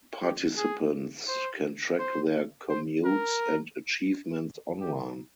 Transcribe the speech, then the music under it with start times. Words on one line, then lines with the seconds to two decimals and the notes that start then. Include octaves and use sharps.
Participants can track their commutes and achievements online.
0.22 G4
0.58 G#4
1.28 C5
1.99 C5
2.69 C5
3.05 A#4
4.81 G4